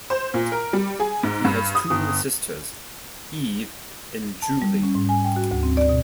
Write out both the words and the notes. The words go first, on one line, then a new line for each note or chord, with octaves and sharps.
He has two sisters, Eve and Julie.
C5
A#2
A#4
G3
G#4
G#2
G2
D#6
G1
A5
G3
C#4
G#2
G#5
G5
F#4
D2
C4
D5
B2